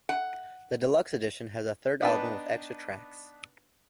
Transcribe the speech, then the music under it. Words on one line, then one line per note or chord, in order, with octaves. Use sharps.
The deluxe edition has a third album with extra tracks.
F#5
B3 D4 D#4 B4 G5 A5